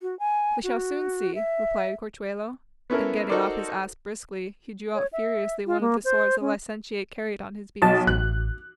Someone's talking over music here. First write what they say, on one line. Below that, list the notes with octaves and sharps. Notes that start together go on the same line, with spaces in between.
"We shall soon see," replied Corchuelo, and getting off his ass briskly, he drew out furiously one of the swords the licentiate carried on his beast.
F#4
G#5
F#4
E5
B3 C#4 E4 A4 A#4
D#4 F#4 A4 A#4 C5 D5
C#5
E5
F4
A#3
C5
C#4
B1 D#5 A5
A1 F#6